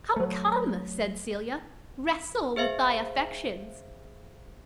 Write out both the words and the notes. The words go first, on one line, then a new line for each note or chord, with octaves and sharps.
"Come, come," said Celia, "wrestle with thy affections."
F#3 A3
G#4 C5 E5 F5